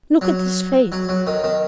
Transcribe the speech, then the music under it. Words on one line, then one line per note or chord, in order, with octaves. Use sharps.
Look at his face.
F#3
F#3
F#3
D#3
D#3